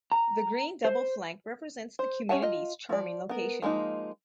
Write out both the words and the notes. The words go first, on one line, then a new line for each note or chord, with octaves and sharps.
The green double flank represents the community's charming location.
A#5
C5
C5
C#4 C#5 E5 F#5 A5
F4 D#5
F3 D5
B3 A#4
F3 G#3 A#3 D#4